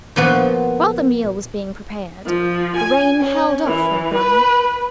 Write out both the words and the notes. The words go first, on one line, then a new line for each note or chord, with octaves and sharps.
While the meal was being prepared, the rain held off for a while.
A#2 F3 B3 F#4
F3
G#5
C#4
E3
B4